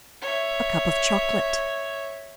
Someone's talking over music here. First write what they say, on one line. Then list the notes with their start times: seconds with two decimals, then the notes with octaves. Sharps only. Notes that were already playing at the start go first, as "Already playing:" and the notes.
"A cup of chocolate."
0.21 C#5 E5